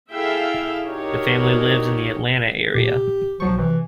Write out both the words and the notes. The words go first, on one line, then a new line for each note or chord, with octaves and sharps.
The family lives in the Atlanta area.
E4 G#4 A4 E5 F5 G5
D4 D#4 F#4 G4 A#4 C#5
A#2 G4
B1 F3 F#3 C#6
C3 E3